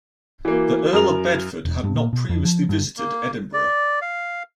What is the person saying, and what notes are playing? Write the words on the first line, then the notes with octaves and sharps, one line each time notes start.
The Earl of Bedford had not previously visited Edinburgh.
E3 A#3 F#4
F#2 A#4 F7
E1
G2
A#2
B2
F2
F3
G2
A#3
D5
F5